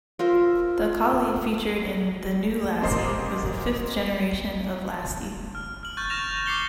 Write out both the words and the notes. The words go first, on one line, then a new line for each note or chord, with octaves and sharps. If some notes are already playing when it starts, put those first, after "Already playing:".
The collie featured in "The New Lassie" was a fifth generation of Lassie.
F4 A#4 C5 E5
A1 A#2 A#3 C5 D#5 C7
F6
F6 F#7
C#6 F#6 G6 A6
C#6 F6 A#6 E7 F7
D6 A#6 C7 C#7 F7 G7